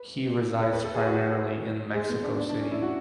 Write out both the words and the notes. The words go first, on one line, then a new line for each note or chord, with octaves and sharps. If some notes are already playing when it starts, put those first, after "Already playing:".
He resides primarily in Mexico City.
Already playing: B4
A4
B4
A4
G#4
F#4
G#3
B3
D4
D4
D4
C#4
E4
F#4